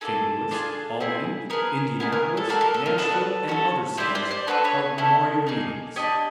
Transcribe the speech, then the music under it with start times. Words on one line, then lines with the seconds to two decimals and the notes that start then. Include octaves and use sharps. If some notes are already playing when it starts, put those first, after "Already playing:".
St. Louis, Albany, Indianapolis, Nashville, and other cities held memorial meetings.
0.01 A#3 D#4 G#4 A4
0.51 D4 F4 G#4
1.00 C4 E4 G#4
1.50 B3 E4 G#4 A#4
2.00 B3 E4 G#4 A#4
2.12 A#4
2.37 A4
2.49 A#3 D4 F#4 A4 A#4
2.61 A#4
2.74 A4
2.86 A#4
2.98 B3 D4 F#4 A4 B4
3.48 C#4 F#4 A4 A#4
3.97 C4 E4 G4 C5 D5
4.15 C5 D5
4.31 C5 D5
4.47 D4 F#4 A4 B4 C#5
4.64 B4 C#5
4.98 A3 C#4 E4 A4
5.47 A#3 D#4 G#4
5.96 D4 G4 C#5 D#5